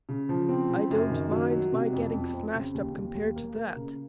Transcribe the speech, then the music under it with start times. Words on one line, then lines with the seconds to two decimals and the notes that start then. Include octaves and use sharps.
I don't mind my getting smashed up compared to that.
0.09 C#3
0.29 F3
0.49 C4
0.70 C#3
0.91 F#2
1.10 D#3
1.31 F#3
1.51 F#3
1.72 C3
1.93 F2
2.13 F2
2.33 C4
2.54 C#3
2.74 D#2
2.94 D#2
3.15 D#2
3.36 A#3
3.55 A#3
3.76 C#3